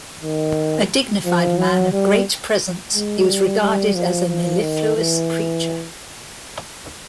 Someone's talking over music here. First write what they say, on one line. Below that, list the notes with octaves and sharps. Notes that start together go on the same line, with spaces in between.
A dignified man of great presence, he was regarded as a mellifluous preacher.
D#3
F3
F#3
G3
G#3
G3
G3
F3
F3
D#3
E3